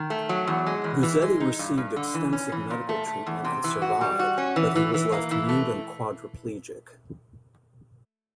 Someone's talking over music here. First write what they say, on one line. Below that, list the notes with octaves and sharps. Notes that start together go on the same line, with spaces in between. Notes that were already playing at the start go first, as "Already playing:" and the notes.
Guzzetti received extensive medical treatment and survived, but he was left mute and quadriplegic.
Already playing: D#3
A3
F#3
E2
G#3
E2
E3
G#3
D#4
G2
G2
D3
E3
C#4
E3
A#2
A3
A3
E2
C3
E3
F#4
G3
F#4
C#4
E3
E3
E3
A#3
E3
A3